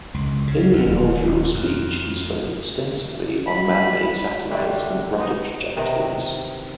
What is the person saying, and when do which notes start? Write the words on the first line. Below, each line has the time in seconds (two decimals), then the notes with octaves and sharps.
In the inaugural speech he spoke extensively on man-made satellites and rocket trajectories.
0.14 C#2
0.48 C#3
0.73 D2
0.86 D#1
1.54 F2
3.47 B5
4.51 D3 G3 A3 D4
5.18 B3 D#4 D#5
5.76 C3 D#3 B3